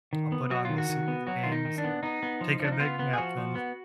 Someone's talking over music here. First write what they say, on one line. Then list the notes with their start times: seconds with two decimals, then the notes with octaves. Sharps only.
I'll put on the se the games and take a big nap then.
0.13 D#3
0.32 B3
0.51 F#3 F#4
0.65 D#3 F4
0.78 F#4
0.89 D#3
1.08 B3
1.27 F#3 F#4
1.43 D#3 F4
1.52 D#4
1.65 D#3
1.78 D4
1.84 B3
2.03 B3 D#4
2.23 B3
2.41 F3
2.60 F3 D4
2.72 D#4
2.79 B3 F4
2.99 B3
3.13 G#4
3.18 F3 F#4
3.37 F3
3.55 B3